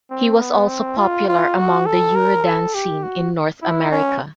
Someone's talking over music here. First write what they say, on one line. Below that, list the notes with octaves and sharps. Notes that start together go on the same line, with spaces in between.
He was also popular among the Eurodance scene in North America.
C4
B3
C4
F4
F4
F#4
A4
A#4
A4
G4
F#4
E4
C#4